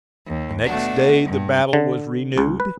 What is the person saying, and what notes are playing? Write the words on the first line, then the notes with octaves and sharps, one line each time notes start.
The next day the battle was renewed.
D#2
B2 A3 D4 F#4
G2
D3
C#2
B4